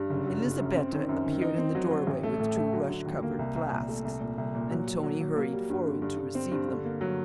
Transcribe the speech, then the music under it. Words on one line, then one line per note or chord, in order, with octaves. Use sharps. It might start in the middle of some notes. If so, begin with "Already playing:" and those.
Elizabetta appeared in the doorway with two rush-covered flasks, and Tony hurried forward to receive them.
Already playing: G2
F#1
F#3
F#1
F#2
C4
D#3
F#2
D#3
D#4
C4
F#3
F#3
A1
A3
A2
A3
F#3
D3
D#2
A#3
C2
C2
A#2
A3
C2
A#2
C2
A#2
F#3
F#3
F#3
F#3
A#3
G3
G2
D3
G2
G2
C4
G2
D3
A#3
F#3